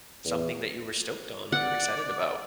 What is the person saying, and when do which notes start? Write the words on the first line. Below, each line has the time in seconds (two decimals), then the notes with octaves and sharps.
something that you were stoked on or excited about?
0.25 E2
1.52 D5 F#5